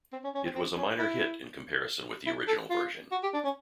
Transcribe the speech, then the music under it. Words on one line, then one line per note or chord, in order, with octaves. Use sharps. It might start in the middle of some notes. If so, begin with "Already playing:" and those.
It was a minor hit in comparison with the original version.
C4
C#4
C#4
C4
C4
C#4
E4
E4
A4
F4
F#4
G4
D4
C#4